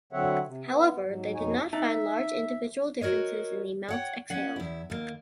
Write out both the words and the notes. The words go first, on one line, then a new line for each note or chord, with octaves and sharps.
However, they did not find large individual differences in the amounts exhaled.
D3 F#3 C4 C#5 E5 F#5
C3
B3
G#2 F#3
F2 B2 D#4 C#5 G#5
D#4 E5 A5
F#4 A#4 C#5 D#5
C#5 F#5 G5
C#4 F#5
E2 E4
D#2 A#3